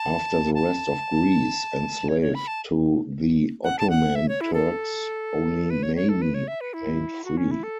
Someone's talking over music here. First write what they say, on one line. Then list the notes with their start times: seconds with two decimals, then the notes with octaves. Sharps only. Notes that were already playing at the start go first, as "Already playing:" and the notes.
After the rest of Greece enslaved to the Ottoman Turks only Mani remained free.
Already playing: A5
0.54 A5
2.09 C#5
2.22 C#5
2.35 B5
2.47 A5
3.64 F#5
3.79 A5
3.90 F#5
4.15 E5
4.28 C#5
4.41 E4
4.54 A4
5.70 B4
5.83 C#5
5.96 C#5
6.09 A4
6.22 B4
6.34 C#5
6.48 E5
6.61 B4
6.74 E4
7.24 F#4
7.37 C#4
7.51 E4
7.63 A4